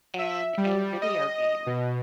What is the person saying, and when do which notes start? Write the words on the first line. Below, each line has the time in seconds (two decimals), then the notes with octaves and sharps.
in a video game.
0.19 E5
0.58 G3
1.02 D#5
1.66 B2